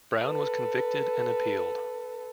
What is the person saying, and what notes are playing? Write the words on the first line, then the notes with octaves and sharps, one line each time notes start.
Brown was convicted and appealed.
A4 B4